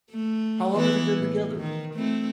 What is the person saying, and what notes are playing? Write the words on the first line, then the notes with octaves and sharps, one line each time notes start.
How long have you been together?
A3
E3 B3 E4
A2
D#3
A3 C4 E4